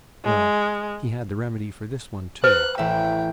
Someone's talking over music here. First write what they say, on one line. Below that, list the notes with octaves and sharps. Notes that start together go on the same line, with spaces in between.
Well, he had the remedy for this one, too.
G#3
B4 C5 F#6
A1 E5 G5